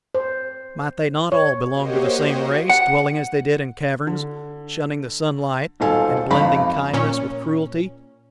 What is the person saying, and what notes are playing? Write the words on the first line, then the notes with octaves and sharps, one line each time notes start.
Might they not all belong to the same race, dwelling as they did in caverns, shunning the sunlight, and blending kindness with cruelty?
C5
C#5
A#3 F#4 G4 C5 C#5 D#5
F#5
D3
D#1 G#2 B2 A4 F5 G#5
G#1 F2 F5 A#5 B5
A#2 C#4